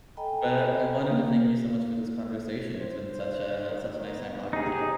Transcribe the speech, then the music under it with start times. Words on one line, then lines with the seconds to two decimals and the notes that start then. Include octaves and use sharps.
But I wanted to thank you so much for this conversation. It's been such a such a nice time talking to you.
0.17 A4 D#5 G5 G#5 A#5 B5
1.11 A#3
2.81 C5
3.68 D#3
4.12 B3
4.53 D#4 G4 G#4